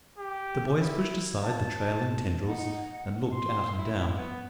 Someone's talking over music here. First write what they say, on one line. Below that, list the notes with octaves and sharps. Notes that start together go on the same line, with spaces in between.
The boys pushed aside the trailing tendrils and looked out and down.
G4
E4
A5
D#4 F#5
C6
E4
B3